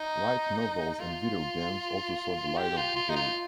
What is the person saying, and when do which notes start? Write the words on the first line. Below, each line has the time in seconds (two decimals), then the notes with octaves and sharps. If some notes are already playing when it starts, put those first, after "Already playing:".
Light novels and video games also saw the light of the day.
Already playing: D#4
1.00 F4
2.57 G4
2.77 F4
2.96 F4
3.10 D#4
3.16 F4